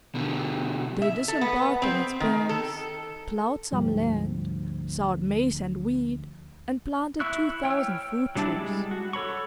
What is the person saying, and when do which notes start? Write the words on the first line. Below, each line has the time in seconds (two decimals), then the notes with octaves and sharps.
They disembarked on its banks, ploughed some land, sowed maize and wheat, and planted two thousand fruit trees.
0.15 B2 D3
1.02 E5
1.28 A4
1.41 B3
1.82 C4
2.20 D#3
2.49 A4
3.72 D2 G#2 F3 G3
7.20 E4 E5 C#6 E6 F#6
7.64 C#5 G5 E6 F6
8.35 F#3 G3 D4 E4 A5
8.55 G3 G#3
8.91 F#4
9.13 A4 C#5 B5 C#6